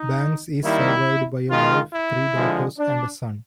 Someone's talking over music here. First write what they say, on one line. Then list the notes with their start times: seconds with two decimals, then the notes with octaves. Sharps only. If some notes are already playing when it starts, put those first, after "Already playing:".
Banks is survived by a wife, three daughters and a son.
Already playing: D#4
0.63 D#3 G3 A#3 E4
1.50 D#3 G#3 F4
1.93 E4
2.35 D3 F3 G#3
2.78 D4